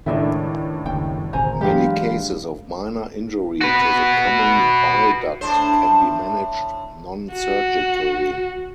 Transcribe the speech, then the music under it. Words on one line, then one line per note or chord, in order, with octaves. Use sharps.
Many cases of minor injury to the common bile duct can be managed non-surgically.
C#2 A2 D#3 D4 A4 D#5 E5
F#1 D#2 G5
D#1 G#1 D2 C5 G#5 A#5
G2 E3 F#3 G#3 G4 F5
F#4 B4
A2 D4 C5
F#4